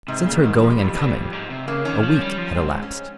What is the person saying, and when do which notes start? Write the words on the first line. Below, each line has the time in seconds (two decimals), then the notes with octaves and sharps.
Since her going and coming a week had elapsed.
0.08 G#2 C3
0.26 A#2 C#3
0.43 G#2 D#3
0.61 F2 F3
0.70 G3
0.79 F2
0.96 G2
1.14 F2
1.33 G#2
1.50 C3
1.68 C#3 A#3
1.85 D#3 C#4
2.03 F3
2.21 G3
2.38 F3
2.55 G#2 C4
2.82 C#4